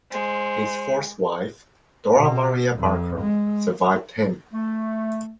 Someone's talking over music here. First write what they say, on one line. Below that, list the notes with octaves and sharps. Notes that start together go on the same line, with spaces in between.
His fourth wife, Dora Maria Barker, survived him.
G#3 C5
B2
F2
G#3
A3